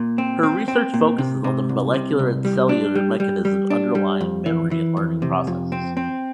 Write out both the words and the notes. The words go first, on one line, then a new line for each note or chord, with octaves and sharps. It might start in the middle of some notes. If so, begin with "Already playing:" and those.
Her research focusses on the molecular and cellular mechanisms underlying memory and learning processes.
Already playing: A#2
C4
C4
C4
A#2
C3
C3
C2
C3
C2
G3
D4
G3
G3
G3
D4
G3
F2
E3
E3
F2
C3
F2
C4
C4